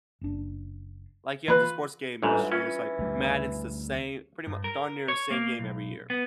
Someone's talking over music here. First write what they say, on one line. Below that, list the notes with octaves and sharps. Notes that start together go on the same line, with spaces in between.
Like, you have the sports game industry, it's, like, Madden's the same pretty much darn near the same game every year.
F#1 D4
E3 A#3 F4 B4
A1 G#2 E3 G3 D4 F4
E3 C#4 F4
D2 G3
G2
A#4
C#5
A#3
B1
B3